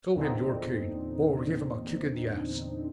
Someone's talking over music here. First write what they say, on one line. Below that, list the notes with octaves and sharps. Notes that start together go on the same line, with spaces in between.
Show him your cane or give him a kick in the ass.
E2 A#2 D3 C4 D4 D#4